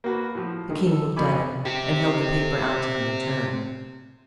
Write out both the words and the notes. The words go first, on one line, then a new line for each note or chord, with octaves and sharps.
The king looked at him, and held the paper out to him, in turn.
A#3 F#4 B4
A2 F3
D3 D#3
A4
F2 B2 G#4 G#5 B5 D6
C4 G4